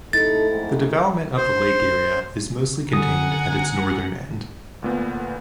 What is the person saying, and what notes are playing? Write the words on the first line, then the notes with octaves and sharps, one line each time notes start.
The development of the lake area is mostly contained at its northern end.
C3 A3 D#4 E4 A4 A6
F2 G#2
C5
D3 F#5 G#5 A#5 D#6
D2 A#2 B3